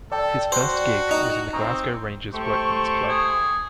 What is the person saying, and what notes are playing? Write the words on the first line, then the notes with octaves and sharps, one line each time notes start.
His first gig was in the Glasgow Rangers Workman's Club.
A4 D5 G5 A5
F#4 C5
D#4
C4 A#5 C#6 D#6
A3 G4 C5 C#6
G#4